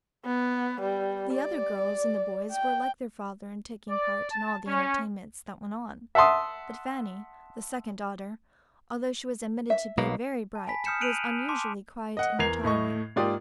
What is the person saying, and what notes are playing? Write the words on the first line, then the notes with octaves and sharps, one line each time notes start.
The other girls and the boys were like their father in taking part in all the entertainments that went on, but Fanny, the second daughter, although she was admitted to be very bright, was unusually quiet and retiring.
B3
G3
D5
G5
D5
A5
C#4
E5 F#5 A5 C6 D#6
E5
B1 B2 A#3
A5
G#5 B5 B6
D#6 F6 G6 C#7 E7
F#6 D7 D#7 F7 F#7
A5 C6 D6
D#5 F#5
E2 A#4 G#6 C7 F7
A2 A3 D#5 C#6
G#2 A#3 F4 G4 D5 D#6